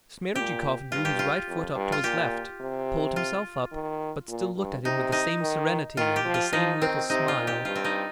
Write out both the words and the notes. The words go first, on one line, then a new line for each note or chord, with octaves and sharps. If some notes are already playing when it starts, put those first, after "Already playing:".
Smerdyakov drew his right foot up to his left, pulled himself up, but still looked at him with the same serenity and the same little smile.
A#2 G4
G2 F4
G4
F4
F2
G2
F4
A#2 G4
C3
F4
D#3
A#2
G2
C3 D#4
D#4
D#3
D#3 F4
G4
F3
F4
F3 D#4
D#3 C4
C3 D#4
F4
A#2
G4
G2 F4
C4
D#4